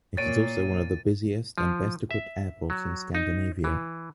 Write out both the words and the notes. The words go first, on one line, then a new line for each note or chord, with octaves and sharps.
It is also one of the busiest and best equipped airports in Scandinavia.
A#2 A#3 C#5 A6 D7 D#7
F3
E5
F#3
D#4
E3